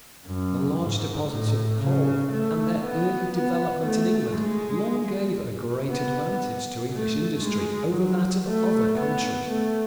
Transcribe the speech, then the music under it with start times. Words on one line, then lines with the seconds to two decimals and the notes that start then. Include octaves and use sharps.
The large deposits of coal and their early development in England long gave a great advantage to English industry over that of other countries.
0.27 F#2
0.79 G#2
1.30 A2
1.81 C#3
2.32 A3
2.83 B3
3.34 B3
3.85 A3
4.37 G#3
5.91 B3
6.93 A3
7.44 G#3
7.94 F#3
8.46 A3
8.97 B3
9.49 A3